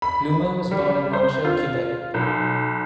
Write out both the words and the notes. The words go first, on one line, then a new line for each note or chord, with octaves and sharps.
Blumer was born in Montreal, Quebec.
B5
G3
C5
F4
B1